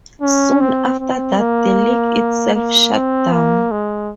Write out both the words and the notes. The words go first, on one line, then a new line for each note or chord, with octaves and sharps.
Soon after that the league itself shut down.
C#4
C4
C4
A#3
A#3
C4
A#3
G#3